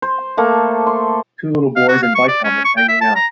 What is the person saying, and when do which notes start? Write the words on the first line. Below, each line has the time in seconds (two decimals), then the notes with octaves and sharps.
Two little boys in bike helmets hanging out.
0.02 C5
0.37 A3 A#3 A4
0.87 C6
1.76 F5
1.89 F#4
2.03 F5
2.15 C#6
2.28 D5
2.44 C#4
2.65 C#6
2.77 G5
2.88 E5
3.01 A5
3.16 A#5